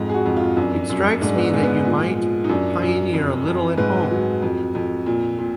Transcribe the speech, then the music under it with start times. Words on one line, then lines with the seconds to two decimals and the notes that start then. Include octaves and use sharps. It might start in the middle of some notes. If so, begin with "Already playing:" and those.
It strikes me that you might pioneer a little at home.
Already playing: F2 G#2
0.10 G#4
0.14 F#4
0.26 F2
0.37 F4
0.57 F#2 D4
0.90 F#2
1.21 G#2 D4
1.35 B3
1.54 G#2
1.63 B3
1.85 A#2
2.17 F3
2.44 D#4
2.49 F#2 D4
2.82 F#2
3.13 F2
3.46 F2
3.78 G#2 B4
4.11 F#3
4.42 F2
4.75 F2
5.06 A#2
5.38 A#2